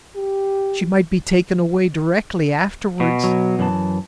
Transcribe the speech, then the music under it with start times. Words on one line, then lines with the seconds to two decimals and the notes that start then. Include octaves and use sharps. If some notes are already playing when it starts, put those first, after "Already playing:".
She might be taken away directly afterwards.
0.16 G4
3.00 B2
3.24 F#3
3.59 F#2 E3 A5